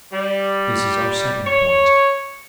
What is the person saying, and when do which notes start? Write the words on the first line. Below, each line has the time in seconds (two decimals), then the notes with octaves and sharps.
This is our second point.
0.12 G3
1.45 C#5